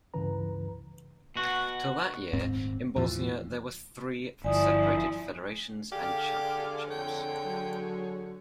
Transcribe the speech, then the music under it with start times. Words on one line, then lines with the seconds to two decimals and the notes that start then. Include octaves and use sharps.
Till that year, in Bosnia there were three separated federations and championships.
0.14 C#2 G2 C#3 E3 B4 A#5
1.36 B2 F#4
2.33 D#1 G#2 C4
2.96 D#2 A2 E3 F3
4.44 G1 F3 E4 D5 G#5 D#6
5.92 D3 G4 G#4 D5 F5
6.90 F2 G#4 C#5 G5
7.44 F#3